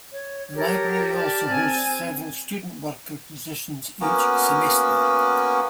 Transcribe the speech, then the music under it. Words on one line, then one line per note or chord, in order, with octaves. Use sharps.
The Library also hosts several student-worker positions each semester.
C#5
G4 A4 A#4 C#5
D5 A5 F6
C4 G#5
A#3 B3 C#4 F#4